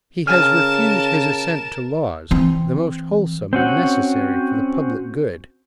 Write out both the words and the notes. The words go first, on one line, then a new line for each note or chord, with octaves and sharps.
He has refused his Assent to Laws, the most wholesome and necessary for the public good.
C#3 A#4 A5 F6 E7
E3 C4
C4 C#4 F#4